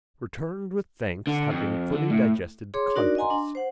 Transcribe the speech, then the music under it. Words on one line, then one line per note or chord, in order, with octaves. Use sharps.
Returned with thanks having fully digested the contents.
D3
F2
D3
A2
G#4 C#5 C6 D6
D4 D#4 F#4 A#4 D5
D#5 F#5 G#5 A#5 C6
D4
C5 F#5